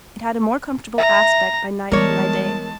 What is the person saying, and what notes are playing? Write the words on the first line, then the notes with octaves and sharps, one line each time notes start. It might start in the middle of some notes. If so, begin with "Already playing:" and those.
It had a more comfortable aspect by night than by day.
E5 A#5
E3 G3 G#3 B3 A#4 C#5 A5